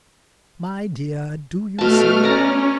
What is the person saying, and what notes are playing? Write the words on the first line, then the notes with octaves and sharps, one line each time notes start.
My dear, do you see?'
B2 A3 A5 F6
C#4 D5 A#5